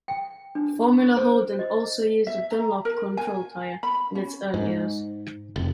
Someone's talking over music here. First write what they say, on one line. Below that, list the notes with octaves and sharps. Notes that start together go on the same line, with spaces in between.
Formula Holden also used a Dunlop control tyre in its early years.
G5
D4
C#6
C5
D#5
E5
A#5
A#4
G#5
B5
C#4
G#2
F1